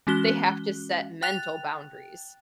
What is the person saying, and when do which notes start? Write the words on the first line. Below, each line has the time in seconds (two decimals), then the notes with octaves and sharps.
they have to set mental boundaries.
0.07 E3 G#3 C#4 F#4 F#6 G7
1.22 G5 F#6 A6 F7